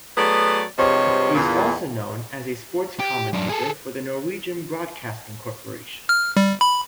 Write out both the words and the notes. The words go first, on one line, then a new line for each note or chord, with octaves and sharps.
He is also known as a sports commentator for the Norwegian Broadcasting Corporation.
F#3 A3 B3 G#4 D5
G2 C3 F3 G#3 C#5
E2 A#2
G4
F#2 D4
G#4 A4
F6
G3
B5